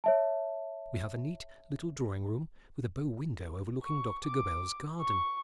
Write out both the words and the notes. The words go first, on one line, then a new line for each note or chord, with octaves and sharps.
We have a neat little drawing-room with a bow window overlooking Dr. Gabell's garden.
C#5 E5 A5
C#6
D6
C#6